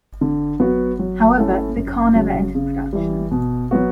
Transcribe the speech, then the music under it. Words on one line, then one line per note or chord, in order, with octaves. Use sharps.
However, the car never entered production.
D3
F#3 B3 F#4
F#3
A3 C#4 E4 A4
F#2
C#3 F#3
C#3
E3 G3
B2
F#3 B3 F#4